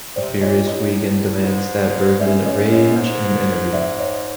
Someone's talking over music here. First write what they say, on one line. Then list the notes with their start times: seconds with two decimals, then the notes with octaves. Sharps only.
A furious Wigand demands that Bergman arrange an interview.
0.16 C3 C5 D5
0.41 A#2 C#5 D#5
0.67 A2 C#5 D#5
1.44 G#2
2.20 F#2 D5 E5
2.46 C#5 D#5
2.71 C#5 D#5
2.97 G#2
3.73 D5 E5
3.99 C#5 D#5